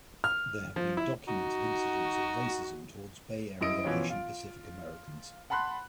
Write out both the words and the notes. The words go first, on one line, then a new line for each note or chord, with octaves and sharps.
There have been documented incidents of racism towards Bay Area Asian Pacific Americans.
F6
F3
E4
D#4 F#4
F#2 E4 D#5 D7
B2 E3 F3 C#4
F4
F#5 A5 B5 C6 F#6